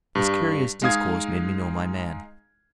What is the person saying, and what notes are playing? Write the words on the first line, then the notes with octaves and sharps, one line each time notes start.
This curious discourse made me know my man.
G2
G#3 D#4 F5 D#6 G#6